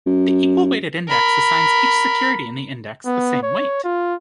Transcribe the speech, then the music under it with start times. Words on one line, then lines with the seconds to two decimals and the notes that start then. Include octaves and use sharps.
The equal-weighted index assigns each security in the index the same weight.
0.06 F#2
1.08 A#4 B5
3.06 B3
3.43 C#5
3.84 F4